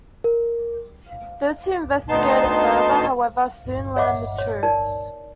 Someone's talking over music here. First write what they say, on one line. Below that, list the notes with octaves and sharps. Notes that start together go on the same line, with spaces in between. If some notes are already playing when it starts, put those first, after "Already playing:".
Those who investigated further, however, soon learned the truth.
A#4
D2 B3 D#4 A5 C6
C#5 D#5 E5 F#5 D6
C#5
D#4 A#4 D5